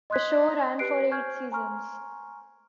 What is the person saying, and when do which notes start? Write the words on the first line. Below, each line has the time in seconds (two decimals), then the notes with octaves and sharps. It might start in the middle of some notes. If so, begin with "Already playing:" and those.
The show ran for eight seasons.
0.10 D#5 C6 D#6 F#6 G#6 B6
0.79 G4 B4 F#6 C7 D7
1.11 C5 G#5 C#6 F6 G6 G#6
1.52 G#5 A#5 C6 C#6 F6